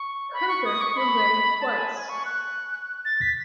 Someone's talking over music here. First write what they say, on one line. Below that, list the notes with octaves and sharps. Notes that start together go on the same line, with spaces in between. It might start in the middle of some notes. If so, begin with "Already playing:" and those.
Hunter was married twice.
Already playing: C#6
B5
C#6
D#6
C#6
B5
A5
G#5
G#5
C#6
F#6
A6
B6